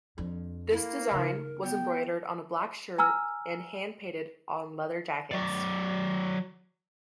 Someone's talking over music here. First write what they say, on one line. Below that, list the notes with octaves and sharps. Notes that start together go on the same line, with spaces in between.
This design was embroidered on a black shirt and hand painted on leather jackets.
F2 D4
A#3 E4
C#3 D#4 A#4
B3 G5
G#5 A#5 E6 F6
F#3 D5